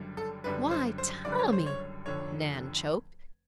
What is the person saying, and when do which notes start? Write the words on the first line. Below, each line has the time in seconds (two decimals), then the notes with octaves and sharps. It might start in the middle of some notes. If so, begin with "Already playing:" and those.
"Why, Tommy!" Nan choked.
Already playing: F#1 F#2 D3 G3
0.17 A4
0.44 F#1 F#2 D3 G3 B4
0.71 C5
0.98 C5
1.25 F#1 F#2 D3 G3 D5
1.39 C#5
1.53 C5
1.66 C#5
2.06 F1 F2 D3 C#5